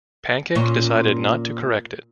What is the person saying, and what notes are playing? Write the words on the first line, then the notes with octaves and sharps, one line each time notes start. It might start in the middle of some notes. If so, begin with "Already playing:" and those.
Pancake decided not to correct it.
A#2 C#4